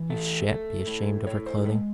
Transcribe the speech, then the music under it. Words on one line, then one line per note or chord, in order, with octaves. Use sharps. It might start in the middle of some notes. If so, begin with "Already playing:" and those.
You shan't be ashamed of her clothing.
Already playing: E3
A3
A3
A2
A2 C#5
C5
G#3 B4